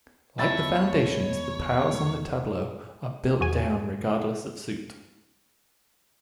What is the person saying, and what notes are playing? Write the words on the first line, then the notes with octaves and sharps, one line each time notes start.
Like the foundations, the piles on the tableau are built down regardless of suit.
E2 C#5 D#5 E5 A5 B5 A6
A1 E2 F#4 G#4 G#5